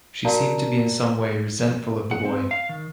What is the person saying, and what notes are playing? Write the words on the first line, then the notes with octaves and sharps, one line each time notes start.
She seemed to be in some way resentful of the boy.
F#4 A#4 D5 F5 A5 A#5
F#5
C4
F5
D#3